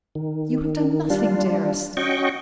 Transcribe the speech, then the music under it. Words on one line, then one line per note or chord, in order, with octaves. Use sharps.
"You have done nothing, dearest."
D#3
G3 D4 F4
C#4 F#4 D#5 G5 C#6